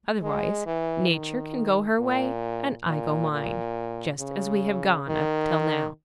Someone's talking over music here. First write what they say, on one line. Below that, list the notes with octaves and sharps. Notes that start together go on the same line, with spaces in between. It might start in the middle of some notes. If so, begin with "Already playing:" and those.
Otherwise, Nature can go her way and I go mine, just as we have gone up till now.
G#3
E3
D#3
A#2
A#2
A#2
C#3
D#3